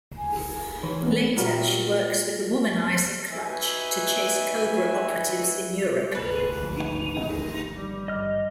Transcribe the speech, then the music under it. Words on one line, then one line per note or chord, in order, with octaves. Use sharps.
Later, she works with the womanizer Clutch to chase Cobra operatives in Europe.
G#5
E3 B4 C#5
G#3 B3
A#2 F#3 G3 A#4
D#4 F#4 B4 E5 G#5
D2 G#2 C3 A#3 B4
G#1 D3 F3
G3
G2 D#5 F6